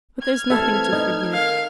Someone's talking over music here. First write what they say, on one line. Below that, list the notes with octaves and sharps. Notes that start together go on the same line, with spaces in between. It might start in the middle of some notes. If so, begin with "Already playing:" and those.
"But there's nothing to forgive."
F6 G#6
E3 A3 C4 A4 E5
D#4
D#3 A#4 F5